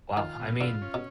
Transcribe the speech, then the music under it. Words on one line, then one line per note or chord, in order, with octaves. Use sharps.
Wow, I mean,
D#3 F4
B2
D3 F4
C#4
B2